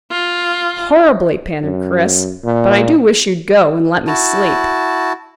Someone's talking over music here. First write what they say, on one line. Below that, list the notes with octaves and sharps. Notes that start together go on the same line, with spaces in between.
"Horribly," panted Chris; "but I do wish you'd go, and let me sleep."
F4
F#2
A#2
E4 F#4 A5